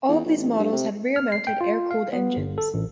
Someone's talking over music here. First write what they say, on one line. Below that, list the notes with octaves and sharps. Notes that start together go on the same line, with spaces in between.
All of these models had rear mounted, air-cooled engines.
E2
B1
A1
G2
C3
F6
C7
G5
F4
F5
B3
G1
A4
A1